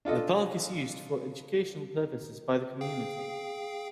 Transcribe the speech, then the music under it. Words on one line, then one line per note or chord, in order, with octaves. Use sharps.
The park is used for educational purposes by the community.
D4 F4 A4 D#5
G#4 F5 G5